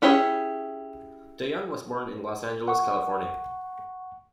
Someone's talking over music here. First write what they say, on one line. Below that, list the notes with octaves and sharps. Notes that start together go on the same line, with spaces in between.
DeYoung was born in Los Angeles, California.
C#4 E4 G4 G#4 C#5
F#5 C#6